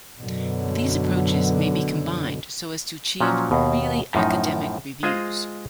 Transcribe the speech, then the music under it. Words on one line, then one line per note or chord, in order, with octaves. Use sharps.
These approaches may be combined so as to achieve really academic reviews.
F#2 B2 D3 F#3
A#2 F3 F#3 C#4
D#2 B2
F#2 A2 F3 D#4
G#3 F4 G#4 C5 D#5 F5